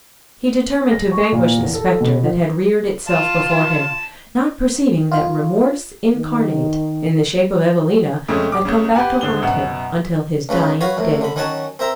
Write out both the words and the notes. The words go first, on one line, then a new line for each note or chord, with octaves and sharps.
He determined to vanquish the spectre that had reared itself before him, not perceiving that Remorse incarnate, in the shape of Evelina, had come back to haunt him until his dying day.
A#6
C#6
A#2
E2
A4
B2
F3
F4 A5
F4
D#3
F2 C#3 G#3 A3
D6
C#2 C#3
G4 B4 F#5 G#5
D#1 D3 G7
F#2 B2 F#5
C#2 C#3 B4
F#4 B4 C#5 F5 C#6
C2 A2
D3 B5
D#3 F#3 C#4 F#5 G#5 A5
C4 A#4 E5 A#5